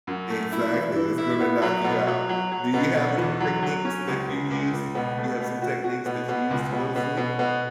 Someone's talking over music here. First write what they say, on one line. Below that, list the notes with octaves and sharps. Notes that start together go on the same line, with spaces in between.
exactly, it's gonna knock you out. Do you have some techniques that you use you have some techniques that you use to go to sleep?
F#2
A3
E4
E3
E3
E4
B3
F#3
B2
F#3
F#3
F#3
B2
B2
E2
F#3
F#3
C#4
C#2
C#2
C#2
C#2
B2
A3
B2
F#4
F#4
B2
B2
C#2
B2
B2
B2
B2